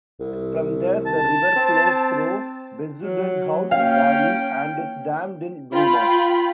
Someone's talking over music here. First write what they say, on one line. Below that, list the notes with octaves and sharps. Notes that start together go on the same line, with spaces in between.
From there the river flows through Bezuidenhout Valley and is dammed in Bruma.
C2
A5
C4
F#3
A#3 C#4 F5 G5
F4 G5 B5